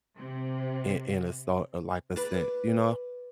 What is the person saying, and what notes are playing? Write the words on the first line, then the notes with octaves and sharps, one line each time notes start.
in in a so or like a saint, you know?
C3
B4 D5